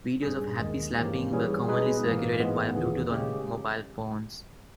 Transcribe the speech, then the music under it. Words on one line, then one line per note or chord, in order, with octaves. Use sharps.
Videos of Happy Slapping were commonly circulated via Bluetooth on mobile phones.
G2 G3 C#4 G#4
D#2 D#3 G#3
G#2 E3 A#3 C#4 G4
E3 G3 C#4 G#4
B2 G#3 D#4 G#4 B4
G#2 E3 A#3
G#2 E3 G#3 B3
D#2 C#3 E3
C#3 G#3 C#4 G4